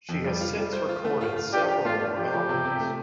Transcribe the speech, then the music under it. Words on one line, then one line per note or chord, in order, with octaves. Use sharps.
She has since recorded several more albums.
F2
G3
F4
G3
C5
F4
A3
F4
F4
D4 G4
G4
A3 F4
D4
F3 G4
F3
C3
C3
A3